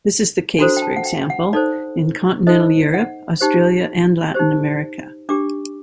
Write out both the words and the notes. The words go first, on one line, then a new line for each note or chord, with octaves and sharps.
This is the case, for example, in continental Europe, Australia and Latin America.
D4 F#4 A4 C5 A#5
G5
A5
F#5
G5
F#5
D#4 A4 C5 D5
D#4 A4 C5 D#5
F#5
D#4 G4 C5
D#4 G4 C5
D4 G4 D6